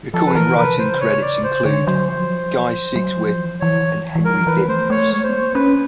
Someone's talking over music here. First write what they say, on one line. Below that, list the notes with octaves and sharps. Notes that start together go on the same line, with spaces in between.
Her current writing credits include, Guy Sigsworth, and Henry Binns.
F3 A4
B4
E3 A#4
C3 B4
C#3 C5
C#5
D5
C5
D3 C#5
F#3 C5
F3 C5
F#3
F3
E3
F3
E3 C#5
E3
F3 A#4
E3 B4
A3 C5
A3 C#5
G#3 C#5
C5
B3
A#3
C#4 B4